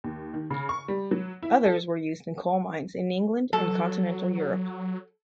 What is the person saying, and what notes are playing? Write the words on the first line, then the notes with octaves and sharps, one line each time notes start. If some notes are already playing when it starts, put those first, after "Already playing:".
Others were used in coal mines in England and continental Europe.
D#2
D#3
C#3
C#6
G3
F#3
E4
A4
F#3 A4